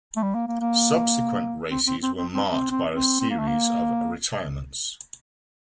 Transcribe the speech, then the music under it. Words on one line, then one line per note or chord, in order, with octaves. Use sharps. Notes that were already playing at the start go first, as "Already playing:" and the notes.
Subsequent races were marked by a series of retirements.
A3
G3
A#3
A#3
A#3
C4
C4
C4
C4
C4
C4
C4
C4
C4
A#3
A3
A#3